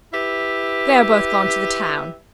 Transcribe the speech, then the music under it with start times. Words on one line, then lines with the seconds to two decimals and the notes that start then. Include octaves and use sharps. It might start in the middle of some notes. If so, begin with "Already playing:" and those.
They're both gone to the town.
0.13 E4 G4 B4 E5